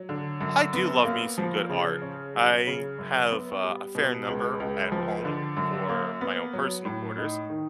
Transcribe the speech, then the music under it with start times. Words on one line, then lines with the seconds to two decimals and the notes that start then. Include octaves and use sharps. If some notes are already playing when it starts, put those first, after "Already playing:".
I do love me some good art. I have a a fair number at home for my own personal quarters.
Already playing: F#3
0.09 D3
0.41 F#2
0.73 B3
1.05 A#3
1.38 F3
1.69 C#3
2.02 C#4
2.34 F#3
2.67 C#3
2.98 F#2
3.31 B3
3.64 G3
3.95 B2
4.28 C#2
4.60 C#2
4.92 F3
5.25 D3
5.57 F#2
5.89 A#3
6.21 B3
6.53 F#3
6.85 A2
7.18 D#4
7.50 D#3